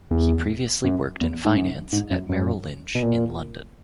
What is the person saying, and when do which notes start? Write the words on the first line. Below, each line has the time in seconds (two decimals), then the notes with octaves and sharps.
He previously worked in finance at Merrill Lynch in London.
0.11 E2
0.84 F#2
1.21 E2
1.45 G#2
1.56 F#2
1.93 G#2
2.11 F#2
2.29 F#2
2.95 B2
3.03 A#2